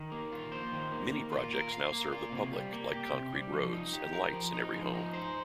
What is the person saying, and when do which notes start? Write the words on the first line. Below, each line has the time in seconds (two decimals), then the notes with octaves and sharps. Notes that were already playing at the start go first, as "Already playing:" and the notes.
Many projects now serve the public like concrete roads and lights in every home.
Already playing: D#3
0.12 A#3
0.32 F4
0.52 C5
0.72 D#3
0.92 A#3
1.12 A#3
1.32 F4
1.53 A#4
1.72 F5
1.92 A#3
2.12 F4
2.32 C3
2.53 G3
2.73 A#3
2.93 G4
3.13 C3
3.33 G3
3.53 F3
3.73 D#4
3.93 G4
4.13 A#4
4.33 F3
4.53 D#4
4.73 F3
4.93 D#4
5.13 C5